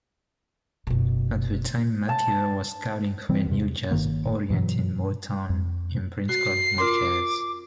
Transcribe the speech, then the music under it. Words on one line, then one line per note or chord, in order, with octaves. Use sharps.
At the time, McKeever was scouting for a new jazz-oriented Motown imprint called MoJazz.
F#1 B2
A5
C3 E3 G3 C4
E2 C3
G1 G2 D#3 A#3
G2 B2 E3 F#3
F2
F#4 C7
F4 A#4 C6 D6